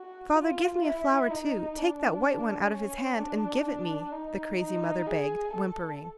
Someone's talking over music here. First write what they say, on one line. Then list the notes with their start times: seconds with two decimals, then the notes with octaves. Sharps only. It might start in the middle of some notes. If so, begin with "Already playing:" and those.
"Father, give me a flower, too; take that white one out of his hand and give it me," the crazy mother begged, whimpering.
Already playing: F#4
0.35 F4
0.83 E4
1.30 D#4
1.77 D4
2.71 C#4
3.18 D4
3.65 D4
4.12 D#4
4.59 D#4
5.06 G#4
5.53 A4